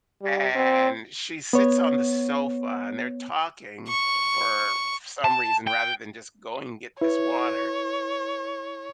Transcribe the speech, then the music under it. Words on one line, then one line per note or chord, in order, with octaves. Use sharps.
and she sits on the sofa and they're talking for some reason rather than just going and get this water
G3
C4
B3 C#5
C#6
A5
G5
E4 B4 C#5